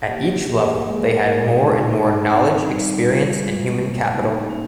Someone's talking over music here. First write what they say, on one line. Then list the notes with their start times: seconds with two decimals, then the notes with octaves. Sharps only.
At each level they had more and more knowledge experience and human capital.
0.07 A#3 G4
0.44 A#3 G#4
0.82 G#3 G#4
0.92 G#4
1.00 A#4
1.19 G#3 A#4
1.37 G#4
1.55 D#4
1.92 D#4
2.29 C4
2.65 G3
3.03 F4
3.39 G#3
3.76 A#3
4.13 D#4
4.50 C#4